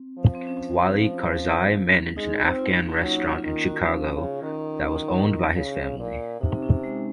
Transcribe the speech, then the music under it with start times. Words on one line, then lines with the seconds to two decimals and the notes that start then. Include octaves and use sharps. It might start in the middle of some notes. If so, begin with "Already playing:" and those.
Wali Karzai managed an Afghan restaurant in Chicago that was owned by his family.
Already playing: C4
0.18 F3
0.35 C4
0.47 C#4
2.16 G#3 D#4
2.37 F4
2.44 C4
2.59 F4
2.81 A#3
2.90 C#4
3.01 F#3 D#4
3.29 F4
3.44 D#3
3.58 F4
3.66 F#4
3.76 F4
3.85 F3 C#4
4.15 C#3
4.43 D#3
5.56 C#3
5.99 A#2
6.40 C3 D#4
6.53 C4
6.62 C#4
6.84 G#3